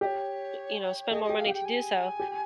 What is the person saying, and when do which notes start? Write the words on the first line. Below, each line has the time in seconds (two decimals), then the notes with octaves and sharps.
you know, spend more money to do so,"
0.01 G4 D#5
0.06 C#5
1.10 G#4 D#5
1.24 D#5
1.29 G4
1.38 F5
1.46 G4 G5
1.65 G#5
2.20 G4